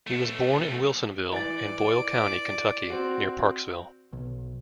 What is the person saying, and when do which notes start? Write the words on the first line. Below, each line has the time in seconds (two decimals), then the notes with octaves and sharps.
He was born in Wilsonville, in Boyle County, Kentucky, near Parksville.
0.07 B1 A3
1.32 E3 D5 A6
2.90 C4 F#4
4.13 B1